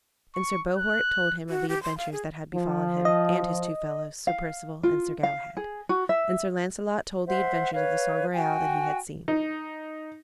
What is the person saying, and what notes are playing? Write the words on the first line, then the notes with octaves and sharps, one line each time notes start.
And Sir Bohort told him of the adventures that had befallen him, and his two fellows, Sir Perceval and Sir Galahad. And Sir Launcelot told the adventures of the Sangreal that he had seen.
C#6
F#6
F#4
G4
C6
F5
G#4
F3
D#5
F5
F4
F5
G#4
F#4
E5
C5 E5 F#5
B4 C#5 F5
F#4 G5 G#5
D#4